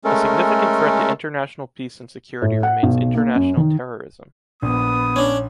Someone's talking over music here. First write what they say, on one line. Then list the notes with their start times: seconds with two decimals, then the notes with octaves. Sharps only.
A significant threat to international peace and security remains international terrorism.
0.05 G#3 A3 C#4 A4 A#4
2.42 A2
2.63 F#5
2.83 B1
3.15 A#3
3.35 F#2
3.57 D#3
4.62 A#1 B3 D#6
5.16 C#4 D4